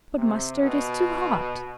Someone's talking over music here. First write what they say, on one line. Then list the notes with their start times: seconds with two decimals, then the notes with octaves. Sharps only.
"But mustard is too hot."
0.18 C3
0.62 B2